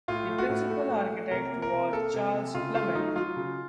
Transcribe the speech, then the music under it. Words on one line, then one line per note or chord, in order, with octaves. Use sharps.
The principal architect was Charles Plumet.
A2 F4
A3
F#4
A2
A3
A3
A3
C3 A#4
A#3
A#4
C3
A#3 A4
C3
C3
C#3 F4
A3 F4
F#3 D#4
F#3 F4
C#3